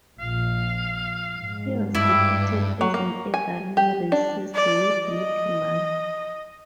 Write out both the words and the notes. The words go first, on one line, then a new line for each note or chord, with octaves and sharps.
He was depicted as an elderly racist with little money.
A#1 F5
G#2
G2 E4 D6
F#3
A#3
G#5
G4
D4
D5
D#5